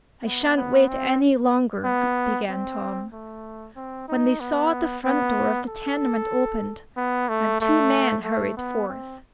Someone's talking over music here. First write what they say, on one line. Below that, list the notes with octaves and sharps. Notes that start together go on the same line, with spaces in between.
"I shan't wait any longer," began Tom, when they saw the front door of the tenement opened and two men hurried forth.
B3
B3
C4
B3
C4
A3
C4
D#4
B3
B3
A4
B3
A3
A3
A3
B3
C4